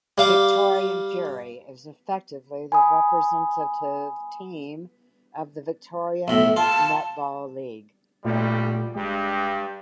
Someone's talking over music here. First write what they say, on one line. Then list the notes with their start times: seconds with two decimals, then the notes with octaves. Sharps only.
Victorian Fury is effectively the representative team of the Victorian Netball League.
0.18 G3 F5 D6
2.72 G#5 B5 D#6
6.28 B1 A2 E5
6.56 F4 A5
8.25 B1 A#2 G3 A3 F4
8.95 G1 G2 G#3 G4